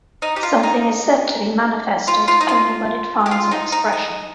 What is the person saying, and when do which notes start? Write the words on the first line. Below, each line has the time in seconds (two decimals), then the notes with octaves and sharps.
Something is said to be manifested only when it finds an expression.
0.22 D#4
0.36 G4
0.43 F4
0.63 D#4
2.08 F4
2.28 F4
2.41 D#4
2.49 F4
3.26 G4
3.31 F4
3.51 D#4
3.72 D#4
3.93 D#4